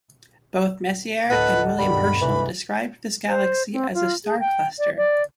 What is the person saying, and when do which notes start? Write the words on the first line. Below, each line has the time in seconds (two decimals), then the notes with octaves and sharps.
Both Messier and William Herschel described this galaxy as a star cluster.
1.30 D2 A2 A4 B4 D#5 F#5
1.78 G2 B2 D#3 G3 B5
2.21 C2 G2 E3 G#3
3.28 C5
3.72 C4
3.94 F4
4.25 G#4
4.40 G5
4.79 D5
4.97 D5